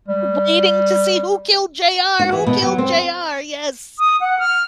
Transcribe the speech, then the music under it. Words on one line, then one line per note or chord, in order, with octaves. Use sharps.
Waiting to see, who killed JR who killed JR, yes,
G3
F#4
E3
B2
F#3
C4
D#6
F#5
F6